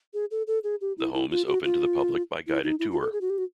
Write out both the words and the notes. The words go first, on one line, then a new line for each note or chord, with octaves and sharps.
The home is open to the public by guided tour.
G#4
A4
A4
G#4
G4
E4
E4
F4
F#4
F4
E4
D#4
E4
F4
A4
G#4
F#4
G4
F#4